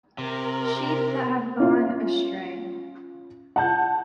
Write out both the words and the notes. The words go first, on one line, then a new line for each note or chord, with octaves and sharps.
Sheep that have gone astray.
C3 A#4
C#4 F4 E5
F#5 A5 G6